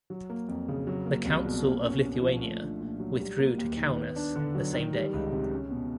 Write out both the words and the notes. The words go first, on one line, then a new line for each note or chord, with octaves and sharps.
The Council of Lithuania withdrew to Kaunas the same day.
F#3
A#3
F2
C#3
F#3
A#3
C2
B2
A#3
C#4
A#2
F3
A3
D4
A#2
F#3
G3
A#3
D#2
D#3
B3
D4
D3
F#3
D#3
G3
C#2
C3
C#4
B2